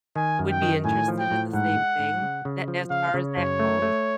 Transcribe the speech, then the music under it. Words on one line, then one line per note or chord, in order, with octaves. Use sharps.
would be interested in the same thing that as far as that goes.
D#3 G#5
F#2
G5
D#3
A2 G#5
F3
G5
A2
G#2 F#5
G#3
G#2
C#3
C#3
F3
C#3 F5
C#3
C#5
F#2
A3
A3